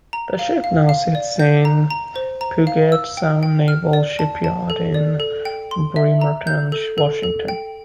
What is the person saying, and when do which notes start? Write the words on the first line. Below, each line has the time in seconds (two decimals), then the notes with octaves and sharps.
The ship now sits in Puget Sound Naval Shipyard in Bremerton, Washington.
0.13 A#5
0.39 F5
0.64 F5
0.89 F5
1.15 D5
1.40 G6
1.65 A#5
1.90 A#5
2.16 C5
2.41 A#5
2.67 F5
2.92 E6
3.17 G5
3.43 G5
3.68 F6
3.93 D5
4.19 A5
4.44 A5
4.70 A4
4.94 D5
5.20 A4
5.45 G5
5.71 C6
5.96 E5
6.21 A#5
6.47 G6
6.72 A4
6.98 A4
7.23 A4
7.48 G5